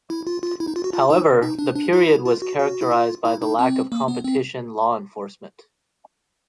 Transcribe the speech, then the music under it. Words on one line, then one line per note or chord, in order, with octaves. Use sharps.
However, the period was characterized by the lack of competition law enforcement.
E4
F4
F4
E4
D#4
F4
F#4
F4
D#4
D#4
D4
D4
E4
F4
F#4
F#4
E4
F4
E4
D#4
C4
A#3
B3
C4